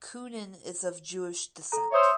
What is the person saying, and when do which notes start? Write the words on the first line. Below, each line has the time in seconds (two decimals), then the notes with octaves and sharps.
Koonin is of Jewish descent.
1.72 A4 A#5
1.92 C5 C#5 E5 D#6 E6